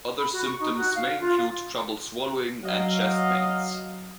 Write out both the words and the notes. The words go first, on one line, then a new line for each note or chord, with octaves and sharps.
Other symptoms may include trouble swallowing and chest pains.
B5
F#4
C#6
D#4
F#4
F5
F4
F#3 D#5 F5